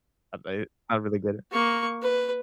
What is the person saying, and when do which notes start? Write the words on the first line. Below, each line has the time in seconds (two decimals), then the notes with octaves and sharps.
uh, they I don't really get it.
1.52 A#3 C#6
2.02 B4